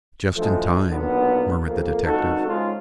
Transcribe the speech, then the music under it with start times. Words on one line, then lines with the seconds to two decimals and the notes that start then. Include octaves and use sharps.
"Just in time," murmured the detective.
0.36 D2 E3 F3 G#3 A3 A4
0.88 B1 A#2 D3 B3
1.65 F2 A#3
2.04 G#1 C#3 D#4 F#4 A4
2.47 G#2 C#3 F4